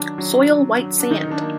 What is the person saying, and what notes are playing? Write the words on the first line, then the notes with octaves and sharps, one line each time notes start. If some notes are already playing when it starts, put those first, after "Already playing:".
Soil white sand.
Already playing: D#3 F#3 D4
F#3
F#3
F#3
D4
D#3 D#4
D4
A#3